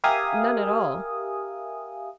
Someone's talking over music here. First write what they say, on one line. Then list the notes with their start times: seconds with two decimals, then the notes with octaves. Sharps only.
"None at all."
0.04 G4 A#4 E5 F5 G#5 D#6